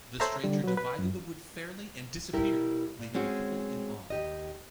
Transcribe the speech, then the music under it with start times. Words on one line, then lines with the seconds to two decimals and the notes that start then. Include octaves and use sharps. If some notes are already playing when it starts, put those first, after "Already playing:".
The stranger divided the wood fairly and disappeared, leaving the people in awe.
0.20 A4 C5 C#5 E5 A#5
0.44 D3 G3
0.64 F#3 B4
0.77 B4
0.99 F#2
2.33 B2 G3 E4 G4 A#4
2.99 A#2
3.14 G#3 C4 C#4 F#4
4.10 D#2 G4 D#5